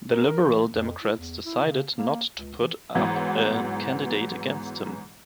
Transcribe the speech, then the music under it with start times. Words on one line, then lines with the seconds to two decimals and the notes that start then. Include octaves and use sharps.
The Liberal Democrats decided not to put up a candidate against him.
0.11 A#4
0.44 E3
0.72 F2
1.03 E4
1.18 E2
1.46 E4
1.65 C#3
1.96 A#3
2.35 C#2
2.60 E3
2.95 G#2 E3 F#3 B3